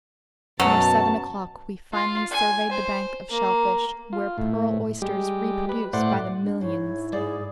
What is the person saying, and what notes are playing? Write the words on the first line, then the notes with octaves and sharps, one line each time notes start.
Near seven o'clock we finally surveyed the bank of shellfish, where pearl oysters reproduce by the millions.
F#2 B2 F#3 A5
F4
G#5
C5
A#3
F4
A2
G3 G#3 G4
B4
A2 C5 D5 F#5
D4
G#2 E4 C#5
G#2 G#4 D5